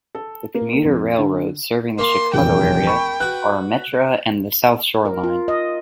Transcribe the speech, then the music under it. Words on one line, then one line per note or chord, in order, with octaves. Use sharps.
The commuter railroads serving the Chicago area are Metra and the South Shore Line.
A4
A#3
F2
D3
A#3 C6
F1 A#1 E2 G5
B5 C#6
F#4 B4 F#6
A#4
F4
D#5